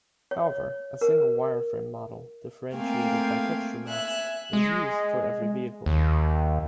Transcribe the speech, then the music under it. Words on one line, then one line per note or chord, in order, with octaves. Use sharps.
However, a single wire-frame model, differentiated by texture maps, was used for every vehicle.
C#5
A#4
A3 A#3 C4 F5 G5 G#5
E5 G#5 F#6
G#3
D#2